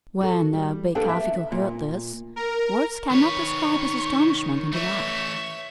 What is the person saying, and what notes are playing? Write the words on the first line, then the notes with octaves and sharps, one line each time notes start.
When Becafico heard this, words cannot describe his astonishment and delight.
F#4 A4
G3
A#3 B3 D4 G4 A4 B4
E5
A#2
A#4
D#3 B4 C#5 C#6
E3 A3 C#5 E5